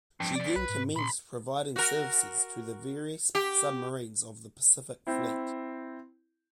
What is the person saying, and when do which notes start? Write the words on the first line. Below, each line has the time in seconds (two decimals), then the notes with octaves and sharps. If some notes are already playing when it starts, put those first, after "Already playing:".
She then commenced providing services to various submarines of the Pacific Fleet.
0.20 F3 C4 D4
0.35 E2 D5
0.56 B1 B4
0.69 G#2
0.96 A#2 B5 C6
1.76 F#4 A#4
3.35 G4
5.07 C4 E4